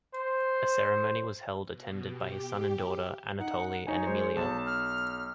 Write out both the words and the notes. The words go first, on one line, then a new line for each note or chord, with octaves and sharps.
A ceremony was held attended by his son and daughter, Anatoly and Emiliya.
C5
B2
G4
D#4 F#5
D#4 C#5 G#5
G#3 C5
B1 A5
F6